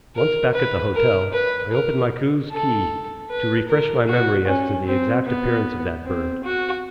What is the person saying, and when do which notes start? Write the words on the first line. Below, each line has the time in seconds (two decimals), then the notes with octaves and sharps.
Once back at the hotel, I opened my Coues's Key to refresh my memory as to the exact appearance of that bird.
0.16 A#4
0.54 B4
0.94 A#4
1.33 B4
1.72 A#4
2.51 A4
3.30 B4
3.69 A#4
4.08 F#4
4.47 C#4
4.86 C4
5.26 B3
6.05 C4
6.44 F#4